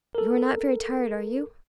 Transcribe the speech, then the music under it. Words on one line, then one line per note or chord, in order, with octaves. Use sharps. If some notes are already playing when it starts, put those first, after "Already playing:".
You are not very tired, are you?
A4 A#4